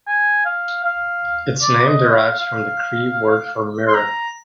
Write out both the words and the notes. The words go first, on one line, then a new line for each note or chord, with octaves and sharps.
Its name derives from the Cree word for mirror.
G#5
F5
F5
D5
D#5
F5
F5
C6
A#5